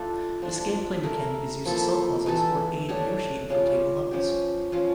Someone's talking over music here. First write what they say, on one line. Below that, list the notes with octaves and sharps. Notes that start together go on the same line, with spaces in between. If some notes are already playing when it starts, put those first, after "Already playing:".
This gameplay mechanic is used to solve puzzles or aid Yoshi in completing levels.
Already playing: A3 D4 F4 A4
F3 A3 D4
A3 E4 A#4
F3 A#3 E4 A4
E3 A3 E4 A4
A3 D4 G4 C#5
C#3 G3 C#4 F4
F3 C#4 G4
F3 C#4 F4